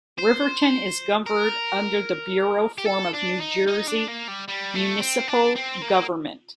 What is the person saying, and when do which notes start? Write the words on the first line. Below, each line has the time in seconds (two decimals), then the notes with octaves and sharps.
Riverton is governed under the Borough form of New Jersey municipal government.
0.18 C5
1.26 A#4
2.78 G4
2.87 A4
3.14 D4
3.41 D#4
3.68 D#4
3.88 D4
4.08 A#3
4.28 G3
4.48 G3
4.75 A3
5.01 C4
5.28 D4
5.56 C4
5.82 A#3